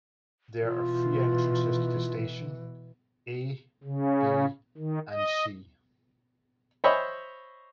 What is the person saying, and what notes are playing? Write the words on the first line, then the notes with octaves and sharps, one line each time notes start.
There are three entrances to the station: "A", "B", and "C".
B2 E3 F4
C#3
D#3
D#5
C5 C#5 D#5 E5 B5 C#6